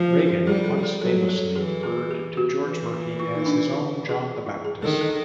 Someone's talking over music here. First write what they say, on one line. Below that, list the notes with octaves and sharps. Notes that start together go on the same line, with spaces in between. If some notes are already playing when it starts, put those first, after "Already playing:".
Reagan once famously referred to George Murphy as his own "John the Baptist".
Already playing: F3
G4
G3 G#4
A4
G#4
F#3 A4
A4
E3 G#4
G#4
G4
F#4
E3
E4
D#4
D4
E4
G#4
E4
G#4
D#3 A4
A4